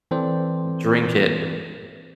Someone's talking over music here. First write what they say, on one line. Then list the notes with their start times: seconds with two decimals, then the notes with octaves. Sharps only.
drink it,
0.11 E3 C4 A4 C5 D5